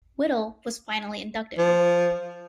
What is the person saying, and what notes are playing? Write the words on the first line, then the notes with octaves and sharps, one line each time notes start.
Whittall was finally inducted.
F3